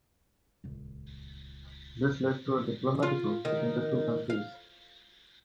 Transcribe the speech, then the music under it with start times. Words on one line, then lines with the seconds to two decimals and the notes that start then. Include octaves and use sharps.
This led to a diplomatic row between the two countries.
0.64 D#1 C#2
3.03 F4
3.45 D#3
4.30 F5